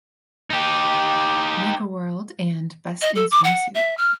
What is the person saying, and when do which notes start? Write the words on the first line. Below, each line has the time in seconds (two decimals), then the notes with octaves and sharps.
Megaworld and Best in Swimsuit.
0.50 D#4 G4
3.01 D#5
3.15 A4
3.31 D6
3.44 F#5
3.74 E5
3.97 F6